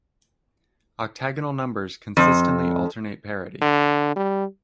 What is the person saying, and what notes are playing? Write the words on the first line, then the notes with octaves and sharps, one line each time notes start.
Octagonal numbers consistently alternate parity.
F2
D3
G3